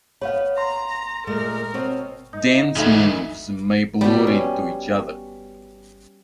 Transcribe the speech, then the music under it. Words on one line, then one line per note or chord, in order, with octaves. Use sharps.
Dance moves may blur into each other.
B3 B4 C#5 F5
A#5 C6
A#2 G#3 A3 A#4
B2 C4 C#5
D#4
D2 E3 F3 D#4 G#4 E5
B2 G3 B3
C#4